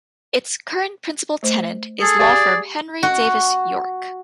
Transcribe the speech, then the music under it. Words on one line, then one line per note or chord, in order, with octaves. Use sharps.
Its current principal tenant is law firm Henry Davis York.
A3 C5
G#4 A4
G4 D5 F5 G#5
F#4